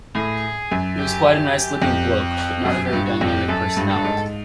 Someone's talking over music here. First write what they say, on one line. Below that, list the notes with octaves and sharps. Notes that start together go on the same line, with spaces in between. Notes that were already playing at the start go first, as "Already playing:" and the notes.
He was quite a nice looking bloke, but not a very dynamic personality.
A2 G#4
F#2
G4
F2
F#2 G#4
G4
G2
F#4
F2
G4
F#2 A4
G2
G2 A4
G#2